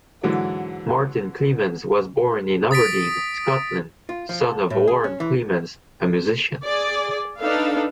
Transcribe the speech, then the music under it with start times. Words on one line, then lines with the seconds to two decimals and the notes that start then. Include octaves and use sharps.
Martin Clemens was born in Aberdeen, Scotland, son of Warren Clemens, a musician.
0.23 G#2 D3 E3 F#3
2.71 D#6 A6 B6 D7
4.09 F4
4.29 F3
4.43 A4
4.70 A2
4.88 G#4
5.04 C#4
5.20 E3
6.64 G#4 D5
7.39 D4 D#4 A4 B4 F5